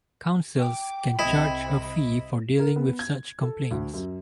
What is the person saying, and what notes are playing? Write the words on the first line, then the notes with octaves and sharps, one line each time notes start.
Councils can charge a fee for dealing with such complaints.
G5 D6
C2 C3 E4 D#5 B5 E6
A#4
B3
G#6
A4
D2
F#2